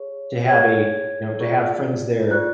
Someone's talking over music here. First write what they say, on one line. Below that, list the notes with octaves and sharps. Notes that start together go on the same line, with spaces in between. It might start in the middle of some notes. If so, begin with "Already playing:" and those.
to have a know, to friends there.
Already playing: G#4 C#5
G#4 C#5 G#6
F4 G#4 D5
F4 G#4 D5 F#6